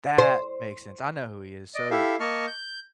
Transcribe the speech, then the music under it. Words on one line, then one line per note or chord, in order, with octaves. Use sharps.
That makes sense, I know who he is, so
C5
D5 D#5
E4 G4 A4 E5 F5
A#3 D#5 A5 C#6 F6
G6